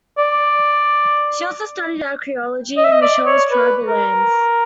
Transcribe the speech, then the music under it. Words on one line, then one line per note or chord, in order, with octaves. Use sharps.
She also studied archaeology in Michelle's tribal lands.
D5
D#5
E5
D#5
D5
C#5
B4
A#4